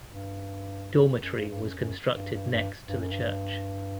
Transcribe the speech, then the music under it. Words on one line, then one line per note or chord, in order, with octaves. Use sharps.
Dormitory was constructed next to the church.
G2
F#2
G2
G2
F#2
F#2
G2
G2
G2
G2
F#2
G2